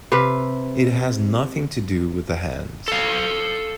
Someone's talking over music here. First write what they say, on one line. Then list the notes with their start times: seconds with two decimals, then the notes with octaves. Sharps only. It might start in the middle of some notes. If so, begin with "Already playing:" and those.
It has nothing to do with the hands.
0.12 C3 B4 F5
2.88 A4 F5